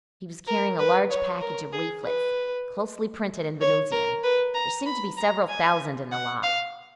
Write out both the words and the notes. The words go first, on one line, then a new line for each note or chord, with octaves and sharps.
He was carrying a large package of leaflets, closely printed in Venusian; there seemed to be several thousand in the lot.
A#4
B4
C#5
A#4
G#4
B4
C#5
A#4
B4
A#5
B5
A#5
G#5
F#5
F5